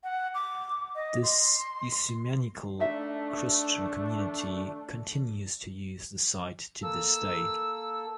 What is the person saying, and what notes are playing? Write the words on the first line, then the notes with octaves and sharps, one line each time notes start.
This ecumenical Christian community continues to use the site to this day.
F#5
D6
D#5
C6
A3 D4 D#4 E5
A#3 A4 E6